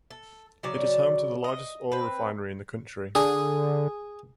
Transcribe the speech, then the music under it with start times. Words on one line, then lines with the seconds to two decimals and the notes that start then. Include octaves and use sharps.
It is home to the largest oil refinery in the country.
0.10 A4
0.63 C#3 F#3 D5
1.44 D#5
1.92 C4 B4
3.15 D3 G#4